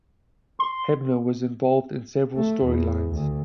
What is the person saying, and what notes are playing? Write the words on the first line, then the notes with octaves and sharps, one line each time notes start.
Hebner was involved in several storylines.
C6
A3
E2
D2